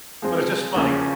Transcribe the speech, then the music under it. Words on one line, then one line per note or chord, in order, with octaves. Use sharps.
But it's just funny.
F3 G#3 C4
E2 C#3 F3 A#3 C#4